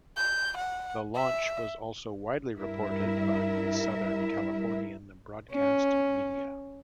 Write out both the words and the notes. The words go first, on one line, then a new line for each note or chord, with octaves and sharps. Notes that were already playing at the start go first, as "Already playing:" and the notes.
The launch was also widely reported by the Southern Californian broadcast media.
G6
F#5
E5
G2 G3 E4 A#4 E5
C#4